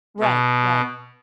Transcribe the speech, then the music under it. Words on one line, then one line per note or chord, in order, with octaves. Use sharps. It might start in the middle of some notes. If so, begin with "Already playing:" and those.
Right, right.
B2